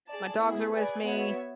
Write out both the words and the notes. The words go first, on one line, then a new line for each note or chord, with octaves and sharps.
my dogs are with me
G#4 D5 A5
B3 E4 G#4
G#4 B4 D5 G#5
B3 F#4 C#5 E5